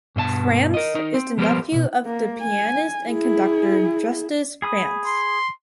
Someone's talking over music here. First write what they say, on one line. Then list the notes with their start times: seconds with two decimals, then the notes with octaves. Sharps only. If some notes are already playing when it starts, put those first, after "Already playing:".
Frantz is the nephew of the pianist and conductor Justus Frantz.
0.16 G2 B2 D#5 A5
0.74 A#4 D#5
0.95 D#4 A#4
1.14 C4
1.38 F3 G3 B3 A4 A#4 C5
1.72 C2 B2
2.05 A#3
2.42 G#5
3.07 E4 G#4
4.62 G#4 B5 D#6
5.07 C6